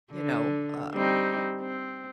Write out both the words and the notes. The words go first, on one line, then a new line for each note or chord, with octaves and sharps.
you know, uh
D3
G3 C4 D#4
C4